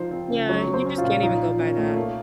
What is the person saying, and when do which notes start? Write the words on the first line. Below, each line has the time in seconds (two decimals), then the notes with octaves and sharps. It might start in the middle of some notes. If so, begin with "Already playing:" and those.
Yeah, you just can't even go by that.
Already playing: F3 D#4 C5
0.11 C4
0.30 C#3
0.49 F#3 C#5
0.67 F#3
0.74 C5
0.86 C#4
0.98 F4
1.04 A#2
1.22 F3 D#4
1.41 F3
1.60 C#4
1.78 A3
1.96 A#3